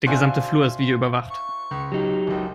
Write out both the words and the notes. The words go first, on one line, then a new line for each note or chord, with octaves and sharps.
Der gesamte Flur ist videoüberwacht.
D4 F#4 C5 E5 F5 G#5
C#6
C#2
F#3 D#4 G4
F#1 C#2